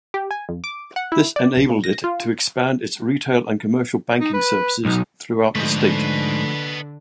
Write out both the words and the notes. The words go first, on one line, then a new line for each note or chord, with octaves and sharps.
This enabled it to expand its retail and commercial banking services throughout the state.
G4
G#5
F2
D6
F#5
E4
D5
B1
A#2
A#6
F4
D#4
B4
B1 D#4
G#2 D3 F3 A3 B4 D#5